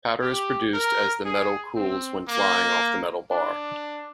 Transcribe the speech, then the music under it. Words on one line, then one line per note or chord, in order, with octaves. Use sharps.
Powder is produced as the metal cools when flying off the metal bar.
G4
A#4
G#4
C4
A#3
D4